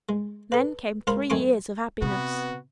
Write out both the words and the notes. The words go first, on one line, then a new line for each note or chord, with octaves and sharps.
Then came three years of happiness.
G#3
A4 B4
C#2 F4 A#4 C5 B5
F#2 D#3 A3 G#5 C6 D6
C3 B3 F#4